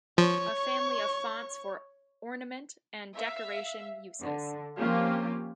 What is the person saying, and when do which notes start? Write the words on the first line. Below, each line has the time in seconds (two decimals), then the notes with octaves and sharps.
A family of fonts for ornament and decoration uses.
0.18 F3 C#5 C#6
3.15 E5 F5
4.21 D3
4.79 F3 A#3 C4 C#4 F4 G4